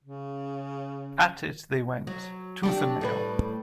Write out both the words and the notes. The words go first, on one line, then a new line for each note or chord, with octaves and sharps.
At it they went, tooth and nail.
C#3
F#3
F#3 D4 G4
A2 G3 B4